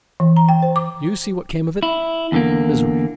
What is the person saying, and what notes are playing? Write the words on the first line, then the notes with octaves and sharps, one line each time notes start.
"You see what came of it--misery."
E3
A#5
G5
C5
D6
E4
E2 D3 A#3